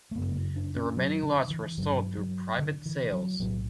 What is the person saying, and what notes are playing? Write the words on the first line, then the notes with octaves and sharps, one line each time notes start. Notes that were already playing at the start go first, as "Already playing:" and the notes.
The remaining lots were sold through private sales.
A3
G1 F#2 C#3 B3
D4
C#4
F#3
D3
E3
G1 G2 D3 F#3
F#3
D3
E3
F#3
B1 A2 F#3